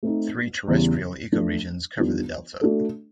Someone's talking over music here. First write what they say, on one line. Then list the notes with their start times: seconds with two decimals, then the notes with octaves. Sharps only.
Three terrestrial ecoregions cover the delta.
0.03 A3 C4 D#4
0.68 E2 C#3 E3 G3
1.32 F3 A3 D4
1.97 D#3 G3 B3 D4 F4
2.61 A3 D4 F#4 A4